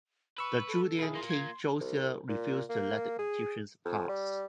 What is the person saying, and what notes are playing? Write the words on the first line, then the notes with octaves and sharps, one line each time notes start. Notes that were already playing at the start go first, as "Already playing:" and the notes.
The Judaean king Josiah refused to let the Egyptians pass.
B4 B5 C#6 E6
A4
B1 E4 G#4
A#3 F4 C6
G#6
C2
A#2
A#3
G#4
F2
G3